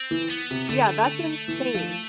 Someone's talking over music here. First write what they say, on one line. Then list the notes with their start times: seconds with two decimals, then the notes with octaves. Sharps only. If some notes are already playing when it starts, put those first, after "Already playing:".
Yeah. That's insane.
Already playing: C4
0.11 E3
0.30 B3
0.51 C3
0.69 D3 A3
1.48 E3
1.75 F3